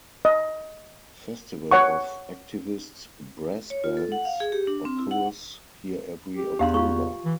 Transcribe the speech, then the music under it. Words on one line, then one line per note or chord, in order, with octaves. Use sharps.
Festival of activist brass bands occurs here every October.
D#5
C#5 F#5 C#6
C#5
F4
A4
F#5
F5
G#4
G4
D4
C4
E4
F#5
G4
E2 G4 F5 C6
F4 C#6
E3